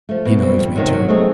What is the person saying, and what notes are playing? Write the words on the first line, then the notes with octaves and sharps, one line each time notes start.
He knows me too.'
F3 A3
B2
G3 C4
F2
C3 D#3 F#3
F#3
A3 C4 D#4 G#4